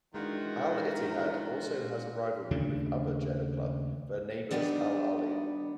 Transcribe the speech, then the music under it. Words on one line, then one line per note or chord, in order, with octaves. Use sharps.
Al-Ittihad also has a rivalry with other Jeddah club, their neighbors Al-Ahli.
D#3 E3 G#3 D4 F4 F#4
D#2 C#3 A3 D4
D#3 F3 G3 B3 D4 D#4